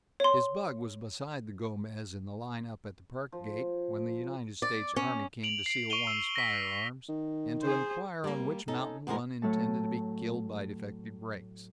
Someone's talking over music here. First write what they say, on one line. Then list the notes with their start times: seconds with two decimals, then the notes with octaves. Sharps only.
His bug was beside the Gomez in the line-up at the Park gate, when the United States Army came to seal one's firearms, and to inquire on which mountain one intended to be killed by defective brakes.
0.20 C#5 C6
3.32 F3
4.62 D5
4.96 C#4
5.43 D7 F7 F#7
5.66 C7 D7
5.90 C#6 D7 D#7 F7 G7
6.07 E6 F7
6.36 A#6 B6
7.09 D#3
7.62 G#4 C5
8.24 G3 A#3
8.68 C#4 D#4 A4
9.07 E2 A2 F3 G#3 A#4
9.42 A2 F#3 A3 A5